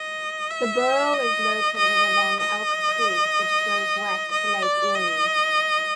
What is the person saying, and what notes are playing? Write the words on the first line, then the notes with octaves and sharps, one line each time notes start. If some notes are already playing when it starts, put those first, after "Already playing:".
The borough is located along Elk Creek, which flows west to Lake Erie.
Already playing: D#5
E5
D#5
D#5
D#5
D#5
D5
D#5